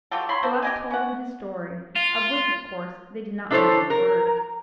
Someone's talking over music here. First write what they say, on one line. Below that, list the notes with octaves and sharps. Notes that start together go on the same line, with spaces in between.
Gluck told them his story, of which, of course, they did not believe a word.
F#3 F4 G4 A4
C#5 B5 C6
A#3 A4 C5
G4 D#5 G#5
C#4 F#5
F4
D4 E4 A4 C5 C#5
A#4